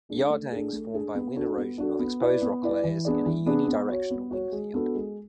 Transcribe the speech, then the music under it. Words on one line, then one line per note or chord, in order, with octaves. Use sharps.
Yardangs form by wind erosion of exposed rock layers in a unidirectional wind field.
G#3 D4 G#4
A3
D4 G#4
A3
D4 G#4
B3
D4 F#4 A4
B3
D4 F#4 A4
B3
E4 B4 D5
B3
E4 B4 D5
E3
B3 D4 G#4 D5
E3
B3 D4 G#4 D5
B3
F#4 C#5
B3
F#4 C#5
G#3
B3 D4 F#4 A4
G#3